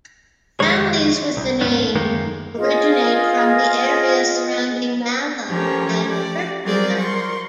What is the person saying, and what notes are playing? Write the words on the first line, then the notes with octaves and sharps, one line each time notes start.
Families with the name originate from the area surrounding Malham and Kirkby Malham.
F2 D#3 G#3 C#5
C2
D#2 G#2 D#3 B3 C#4
F#2 D#3 G#3 A#3
F4 G#4 D#5
F3 C#4 G4 A4 A#4
G4 D5
F#3 G3 C4 G#4 A#4 D5
A#4 C6 C#6